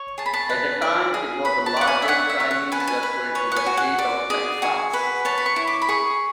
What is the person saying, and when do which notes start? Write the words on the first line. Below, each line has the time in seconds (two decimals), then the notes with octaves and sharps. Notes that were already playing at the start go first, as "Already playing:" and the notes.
At the time it was the largest Chinese restaurant in the state of Texas.
Already playing: C#5
0.18 G#4 A5
0.26 B5
0.33 A5
0.49 B4
0.82 D5
1.14 G#4
1.45 B4 B5
1.66 A5
1.77 D5 F#5
1.87 G#5
2.02 E5
2.08 C#5 F#5
2.29 E5
2.40 C#5
2.51 F#5
2.72 B4 G#5
2.80 A5
2.88 G#5
3.03 B4
3.35 C#5
3.52 F#5
3.56 G#5
3.66 F#4
3.77 F#5
3.98 D5
4.30 G#4
4.62 F#4 G#5
4.93 B4
5.25 C#5 A5
5.38 B5
5.46 C#6
5.56 E4
5.67 D6
5.82 B5
5.89 G#4 C#6